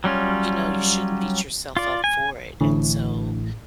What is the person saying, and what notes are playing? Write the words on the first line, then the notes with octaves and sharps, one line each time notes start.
you know, you shouldn't beat yourself up for it, and so,
F#3 G3 C#4 F4
F4 D5
G#5
A1 A2 D3